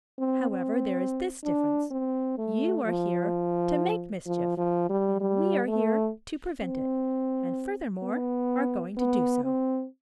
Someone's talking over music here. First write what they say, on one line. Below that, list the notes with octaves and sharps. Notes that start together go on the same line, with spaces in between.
"However, there is this difference. You are here to make mischief and we are here to prevent it, and, furthermore, are going to do so."
C4
C4
D4
C4
A3
F3
F3
F3
G3
G3
A3
C4
B3
B3
C4